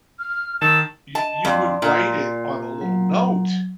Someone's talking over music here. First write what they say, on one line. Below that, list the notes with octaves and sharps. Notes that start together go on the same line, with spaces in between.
you you would write it on a little note,
F6
D#3 A5 E6
D#5 A5
F2 D5 C6
A#2
F#3